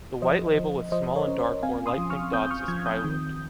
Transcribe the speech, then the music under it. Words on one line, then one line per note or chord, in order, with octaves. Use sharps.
The white label with small and dark or light pink dots is tri-lobed.
F3 C5 D#5
F3
F3 C5 D#5
A#4 C#5
C#4
C5
C4 F5 G#5
C6 D#6
F3
C#6 F6
C4 D#6 G6
C#6 F6
F3 F6 G#6
D#6 G6
D#3